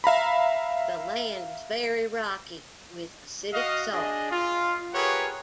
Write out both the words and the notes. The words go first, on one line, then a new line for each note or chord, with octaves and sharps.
The land is very rocky with acidic soil.
E5 F5 A#5 B5
F#4 D#5 F5
D4 G#4 D#5
F4
G4 G#4 A#4 B4 C#5 F#5